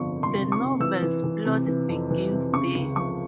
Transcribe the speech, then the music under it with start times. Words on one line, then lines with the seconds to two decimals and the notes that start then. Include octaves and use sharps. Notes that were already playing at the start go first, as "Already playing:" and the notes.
The novel's plot begins there.
Already playing: G1 F2 C3 F3 C#6
0.16 C3
0.23 C6
0.37 C3
0.52 C#6
0.58 C3
0.80 E3 E6
1.03 E3
1.24 E3
1.45 C3
1.67 E3
1.89 F2
2.11 E3
2.32 C3
2.53 C#3 C#6
2.75 C#2
2.96 F3 C#6